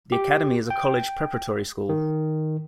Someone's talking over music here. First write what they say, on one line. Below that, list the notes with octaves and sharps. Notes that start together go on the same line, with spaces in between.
The academy is a college preparatory school.
G4
G5
D#3